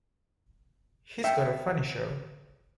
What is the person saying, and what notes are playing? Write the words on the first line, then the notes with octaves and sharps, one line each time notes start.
He's got a funny show.
E5 G5